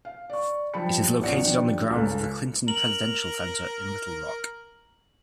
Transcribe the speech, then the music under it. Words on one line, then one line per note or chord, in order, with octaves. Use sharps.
It is located on the grounds of the Clinton Presidential Center in Little Rock.
F5
D5 C#6
F3 G3 G5 A5 B5 C#7
A#1 E2 C#4 D5 F#5 C#7
D#3 F3 D4 G4 D5
C#2 C#3 A4
A#4 F#7